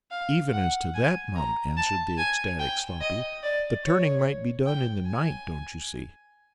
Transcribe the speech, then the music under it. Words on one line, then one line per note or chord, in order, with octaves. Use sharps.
'Even as to that, mum,' answered the ecstatic Sloppy, 'the turning might be done in the night, don't you see?
F5
F#5
G#5
A#5
A5
G#5
G5
D#5
D5
C#5
G5
G#5